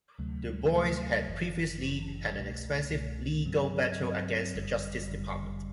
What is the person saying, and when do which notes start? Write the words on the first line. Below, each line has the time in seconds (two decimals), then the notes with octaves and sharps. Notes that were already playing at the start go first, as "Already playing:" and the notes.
Du Bois had previously had an expensive legal battle against the Justice Department.
0.18 D2 C3 F#3 A3
0.72 D2 C3 F#3 A3
1.27 G1 F#2 E3
1.81 G1 F#2 E3
2.37 C2 B2 A3
2.91 C2 B2 A3
3.45 G2 F#3 C4
4.00 G2 F#3 C4
4.54 G1 F#2 D3 G3
5.08 G1 F#2 D3 G3